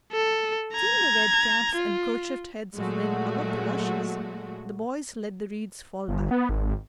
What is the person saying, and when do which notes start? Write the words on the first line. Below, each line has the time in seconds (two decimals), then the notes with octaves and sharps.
Seeing the red caps and kerchiefed heads of men above the rushes, the boys let the reeds fall back.
0.13 A4
0.74 A#5 G#6
1.76 F4
2.75 A#2 F#3 G#3 A3 F#4
6.08 G1
6.31 B3
6.49 G#1